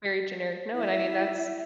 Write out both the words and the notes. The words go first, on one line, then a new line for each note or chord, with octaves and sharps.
very generic. No, and I mean, that's
E4 E5